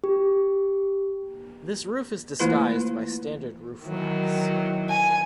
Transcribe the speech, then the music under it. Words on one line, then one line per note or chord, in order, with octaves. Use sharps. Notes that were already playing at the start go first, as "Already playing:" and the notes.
This roof is disguised by standard roof racks.
G4
E3 A3 A#3 E4 F4 B4
D#3 E3 F#3
G#5